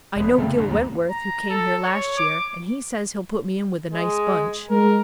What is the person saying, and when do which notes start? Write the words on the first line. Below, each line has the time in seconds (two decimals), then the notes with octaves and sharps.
I know Gil Wentworth, who came here last year, and he says he'll put me in with a nice bunch.
0.16 F1 B3
0.38 C#3 A3 A#3 C4
0.55 D2 G2
0.68 A1 D#2 G3 A#3
1.10 A#5
1.50 A4
1.83 C#5
2.17 D6
3.93 G#3
4.70 G#3 A#4